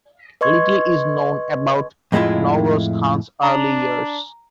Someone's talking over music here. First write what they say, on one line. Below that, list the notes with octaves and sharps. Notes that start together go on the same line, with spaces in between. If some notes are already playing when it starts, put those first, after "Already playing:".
Little is known about Nowroz Khan's early years.
B4 D#5 C6 C#6 G#6
F2 A2 G#3 D4 E4 F4
D4 A#5